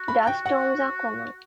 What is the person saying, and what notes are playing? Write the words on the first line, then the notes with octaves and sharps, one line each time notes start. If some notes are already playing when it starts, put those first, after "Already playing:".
Dust storms are common.
Already playing: F#4
B5
G5
F#5